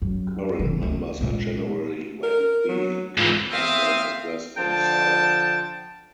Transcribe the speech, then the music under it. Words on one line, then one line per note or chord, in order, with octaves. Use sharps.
Current members are generally wealthy and come from the Midwest and South.
F#2
C#3 E3
D2
A#2 G#3
A#4
F#3
G#2 E3 F4
C4 E5 F5 D#6
D3 F3 G5 A5